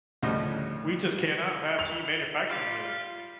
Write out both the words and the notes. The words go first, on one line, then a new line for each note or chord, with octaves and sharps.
We just cannot have cheap manufacturing here.
D2 A2 C#3 F3 G3 D#5
F7
G3 F4